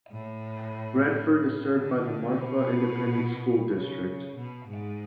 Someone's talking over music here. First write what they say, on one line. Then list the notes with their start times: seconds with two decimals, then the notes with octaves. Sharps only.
Redford is served by the Marfa Independent School District.
0.11 A2
1.74 D3
2.40 B2
3.69 C#3
4.35 B2
4.67 G#2